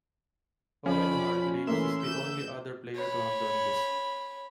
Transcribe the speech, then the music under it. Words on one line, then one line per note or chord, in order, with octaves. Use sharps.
Owen Hargreaves is the only other player to have done this.
F2 F3 C#4 D5 B5
E3 A3 A#3 E5 C6
G6 E7
C#5 B5